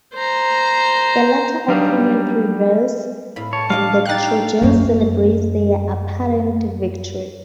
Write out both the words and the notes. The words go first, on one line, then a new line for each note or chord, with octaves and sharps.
The latter opinion prevails, and the Trojans celebrate their apparent victory.
C5 A#5
F#3 G3 D4 D#4 F5
A2 F5 B5
C#5 A5
G3 D4 D#5 F5 G5
D4 D#4 G5 F#6 A6
F#2 A#3